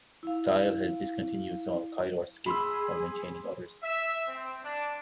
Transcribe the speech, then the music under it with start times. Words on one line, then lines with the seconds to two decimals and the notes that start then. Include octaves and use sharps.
Thile has discontinued some of Keillor's skits, while maintaining others.
0.23 E4 F5
2.46 G#4 B5 C6 E6
3.82 E5
4.27 C4
4.62 D4